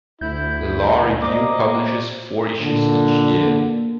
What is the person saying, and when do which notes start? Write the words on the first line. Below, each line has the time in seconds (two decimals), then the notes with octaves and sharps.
The law review publishes four issues each year.
0.21 D2 E4 G6
1.22 A#3 C5 D5 D#5 A#5 D6
2.62 A#2 D3
3.37 A#3